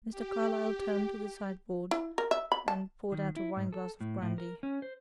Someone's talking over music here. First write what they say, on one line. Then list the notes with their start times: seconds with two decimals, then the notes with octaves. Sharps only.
Mr. Carlyle turned to the sideboard and poured out a wineglass of brandy.
0.11 G4
1.91 E4
2.18 A#4
2.31 E5
2.52 B5
2.68 A5
3.12 D#3
3.36 E4
3.57 G#2
3.73 A4
4.01 A2
4.22 A2
4.38 A#4
4.63 C#4
4.82 C5